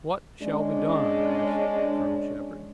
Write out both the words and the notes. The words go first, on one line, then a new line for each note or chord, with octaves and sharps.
"What shall be done?" asked Colonel Shepard.
G#3 C#4 D4